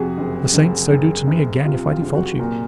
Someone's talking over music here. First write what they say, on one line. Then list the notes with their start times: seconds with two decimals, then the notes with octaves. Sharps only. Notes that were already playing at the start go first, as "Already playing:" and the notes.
The saints so do to me again if I default you.
Already playing: F2 C3 F#4 G#4
0.18 F#1
0.54 F#1
0.91 F#1
1.28 F#1
1.65 C3 F4
1.90 F4
2.02 F#1
2.15 F#4
2.39 A#2 A#4